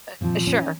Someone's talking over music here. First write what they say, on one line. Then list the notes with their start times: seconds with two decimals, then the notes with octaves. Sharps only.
Eh sure.
0.21 A#2 F3 C4
0.47 C#4